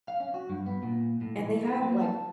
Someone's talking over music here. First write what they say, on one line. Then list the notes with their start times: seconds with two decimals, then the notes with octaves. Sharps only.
and they have, like,
0.08 F5
0.20 C#4
0.34 F#4
0.50 G2
0.66 B3
0.83 A#2
1.21 A2
1.39 E3
1.67 B4
1.83 A#3
2.01 A5